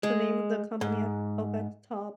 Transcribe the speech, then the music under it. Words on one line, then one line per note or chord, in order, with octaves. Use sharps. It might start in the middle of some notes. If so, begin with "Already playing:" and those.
the name of the company up up at the top
G#3
G#2